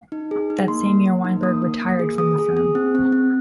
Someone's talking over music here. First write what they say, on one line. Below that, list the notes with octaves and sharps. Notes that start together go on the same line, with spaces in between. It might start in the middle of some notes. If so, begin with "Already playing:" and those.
That same year, Weinberg retired from the firm.
D#4
G#4
D#4
A#3 C6
A#3
A#3
D#4
A#3 D#6
A#3
A#3
G#4
G#4 D#6
G#4
G#4
C4
C4
C4